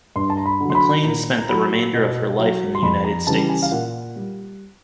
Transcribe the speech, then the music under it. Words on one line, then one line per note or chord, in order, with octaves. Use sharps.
MacLane spent the remainder of her life in the United States.
G2 C6
A5
A#5
B5
D3 F#3
C6
B5
A#2 A#5
A#5
F#3 B5
B2
F#3
C6
F2 B5
A#5
C#3 E3 G3 A5
G#5
F5
A#2 F#5
G3